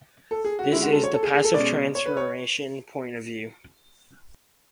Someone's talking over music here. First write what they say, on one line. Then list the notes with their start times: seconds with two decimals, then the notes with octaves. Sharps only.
This is the passive transformation point of view.
0.31 A4
0.45 G#4
0.59 F#4
0.72 D3 G#3 C#4 E4
0.82 F#4
0.92 A4
1.04 C#5
1.14 A4
1.23 G#4
1.34 G#4
1.44 A4
1.54 B2 G#3 C#4 D5
1.95 C#5
2.06 B4
2.17 C#5